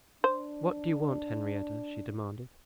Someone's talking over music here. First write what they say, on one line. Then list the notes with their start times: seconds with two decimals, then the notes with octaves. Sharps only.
"What do you want, Henrietta?" she demanded.
0.24 D4 C5